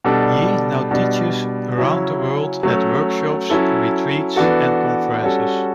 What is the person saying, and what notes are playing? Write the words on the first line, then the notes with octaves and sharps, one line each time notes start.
Yee now teaches around the world at workshops, retreats, and conferences.
B2 G3 D4 A4
B2 G3 D4
C#3 F#3 C#4 E4
F#3 A3 C#4
F#3 C#4 E4 A4
E3 B3 D4 F#4 A4
G3 C#4 F#4 A4